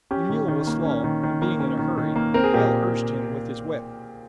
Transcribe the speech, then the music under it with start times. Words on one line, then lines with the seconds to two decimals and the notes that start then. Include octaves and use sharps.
The mule was slow and, being in a hurry, Hale urged him with his whip.
0.11 C#4 G4
0.29 D#3
0.48 D#3
0.67 A#3
0.85 C#4
1.04 D#3
1.23 D#3
1.42 A#3
1.60 C#4
1.79 D#3
1.98 D#3
2.16 A#3
2.34 C4 A#4
2.44 G#4
2.54 A#2 G4 A#4